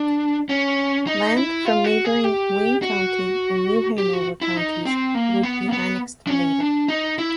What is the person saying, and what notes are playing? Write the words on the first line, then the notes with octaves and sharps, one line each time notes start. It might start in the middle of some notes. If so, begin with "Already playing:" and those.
Land from neighboring Wayne County and New Hanover counties would be annexed later.
Already playing: D4
C#4
D#4
E4
F4
F#4
G#4
G4
F#4
G4
F#4
E4
D#4
C4
A#3
B3
A#3
B3
D4
C#4
D4
D#4
E4